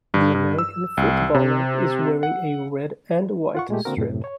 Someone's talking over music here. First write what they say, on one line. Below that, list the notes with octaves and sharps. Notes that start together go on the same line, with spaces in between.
The American footballer is wearing a red and white strip.
G2
G2
E6
C2
C3
F#5
F4 F#5 C#6
A#2 G#3 A3 G4
D3 A#3 C4 F#4 A#4
F#2 A2 C3
C#5